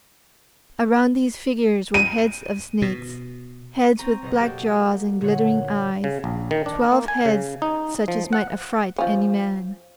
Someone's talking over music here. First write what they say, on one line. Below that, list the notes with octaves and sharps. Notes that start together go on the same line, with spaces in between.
Around these figures were heads of snakes, heads with black jaws and glittering eyes, twelve heads such as might affright any man.
D#7
B2
C4 A#5 C#6 D#7
F#1 B2 D#5
A#3 F#4 G4 A4
A#2 D3 A#3 C#5 F#5
C#3
A#1
D#3
D4
A#3
G#5
C#3
D#4
F3
F#5
F3 C#4